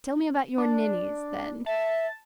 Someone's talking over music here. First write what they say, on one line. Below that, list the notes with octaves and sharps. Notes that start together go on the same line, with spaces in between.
"Tell me about your ninnies, then."
D4
E5 A5